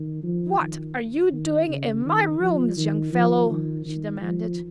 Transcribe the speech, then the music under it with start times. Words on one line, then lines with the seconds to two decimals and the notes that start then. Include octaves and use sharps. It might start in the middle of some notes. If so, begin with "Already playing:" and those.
"What are you doing in my rooms, young fellow?" she demanded.
Already playing: D#3
0.23 F3
0.59 D#3
1.32 D#3
1.68 C#3
2.05 D#3
2.40 F3
2.77 D#3
3.13 F3
3.50 D#3
3.86 D#3
4.22 F3